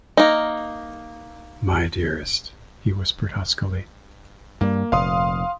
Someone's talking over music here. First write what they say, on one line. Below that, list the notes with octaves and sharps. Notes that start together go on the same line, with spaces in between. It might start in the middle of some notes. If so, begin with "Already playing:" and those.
"My dearest," he whispered huskily.
A#3 D#4
G2 G3 A#3
F1 A#2 F5 C6 D#6